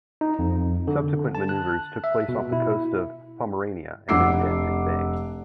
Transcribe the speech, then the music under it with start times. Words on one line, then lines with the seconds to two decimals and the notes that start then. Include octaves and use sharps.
Subsequent maneuvers took place off the coast of Pomerania and in Danzig Bay.
0.21 D#4
0.39 F2
0.87 D3
1.35 A5
1.49 F#6
2.04 E5
2.29 B2
2.53 E4
4.09 F1 D4 F#5 D6 E6 C7